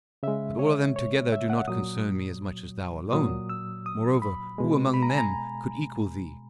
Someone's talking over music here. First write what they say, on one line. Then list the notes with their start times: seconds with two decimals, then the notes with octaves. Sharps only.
But all of them together do not concern me as much as thou alone; moreover, who among them could equal thee?
0.23 C#3 G#3 E5
0.59 C#5
0.96 C#5
1.32 E5
1.50 F#5
1.68 A#2 F#3 D#6
3.13 A#2 F#3 D#6
3.49 E6
3.86 D#6
4.22 B5
4.58 B2 G#3
4.94 B5
5.03 A#5
5.10 G#5
5.18 A#5